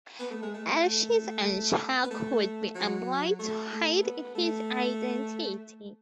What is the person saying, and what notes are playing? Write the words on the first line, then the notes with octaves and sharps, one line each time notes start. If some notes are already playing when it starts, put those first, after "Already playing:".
Ashes and chalk would be employed to hide his identity.
B3
A3
G#3
A3
A3
B3
A3
F#3
A3
A3
B3
A3